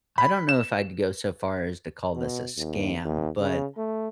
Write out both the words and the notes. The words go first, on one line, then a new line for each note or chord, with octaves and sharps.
I don't know if I'd go so far as to call this a scam, but
B5
E7
B2
D#2
D#2
C#3
A3